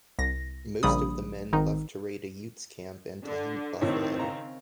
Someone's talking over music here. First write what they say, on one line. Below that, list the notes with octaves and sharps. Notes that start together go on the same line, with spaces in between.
Most of the men left to raid a Utes camp and to hunt buffalo.
C2 A#6
A#1 C#3 G3 B5 D#6
G#1 D#3 D#4
D3
G#1 A2 D#3 C4 C#5
C#3 A#5